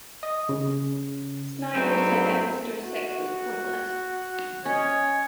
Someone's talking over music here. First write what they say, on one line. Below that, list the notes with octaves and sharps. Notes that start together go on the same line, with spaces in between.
Snyder said that Mr. Six was pointless.
D#5
C#3
G#2 F#3 A3 B3 C4 D4
F#4
C#4 C#5 D#5